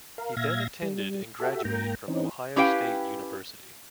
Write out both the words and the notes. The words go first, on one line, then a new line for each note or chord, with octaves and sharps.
He then attended and graduated from Ohio State University.
A#4 F5
A#2 E5 F5 G#6 A#6
G3
F#4 G4 A4 E5
G#2 A#3 G5 A#5
E3 C4 C#4 D#4
C#4 E4 G4 B4 F5 G5